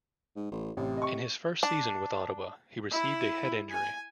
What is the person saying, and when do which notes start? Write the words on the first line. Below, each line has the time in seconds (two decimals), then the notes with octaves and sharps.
In his first season with Ottawa, he received a head injury.
0.36 G#2
0.52 A1
0.77 A1 C3
0.97 D#5 C#6
1.63 D4
2.90 E4
3.73 G#5